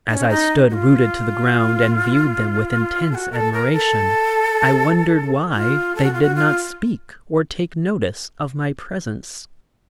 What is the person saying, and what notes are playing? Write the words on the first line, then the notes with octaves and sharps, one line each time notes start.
As I stood rooted to the ground and viewed them with intense admiration, I wondered why they did not speak or take notice of my presence.
D#4
C#4
D#4
F#4
F4
A4
F#4
A#4
A4
A#4
A4
F4
A4
F#4
F4
F#4
F4